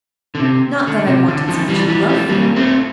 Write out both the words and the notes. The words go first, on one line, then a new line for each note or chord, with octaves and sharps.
Not that I wanted sufficient love for Amelia.
D3
C3
D3
C3
D3
D3 F3
E3 G3
E3 G3
F3 A3
G3 A#3
A3 C4